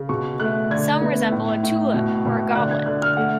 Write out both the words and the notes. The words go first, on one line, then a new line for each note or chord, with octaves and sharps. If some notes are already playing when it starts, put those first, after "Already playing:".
Some resemble a tulip or a goblet.
Already playing: C#3
B2 C#6
A3 F#6
D3 G#6
B3
A2
A2
B2
B2
D3 F#6
G#6
D3 F#6
F6
A3 F#5